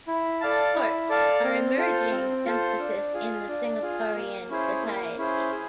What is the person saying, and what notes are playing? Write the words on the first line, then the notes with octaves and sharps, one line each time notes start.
Sports are an emerging emphasis in the Singaporean society.
E4
A4 D5 F5 A5
E4
A4 D5 F5 A5
C4
F4 A4 C5
C4
F4 A4 C5
D4
F4 G#4
D4
F4 G#4
A#3
C#4 E4 G#4 C5
A#3
C#4 E4 G#4 C5
G#4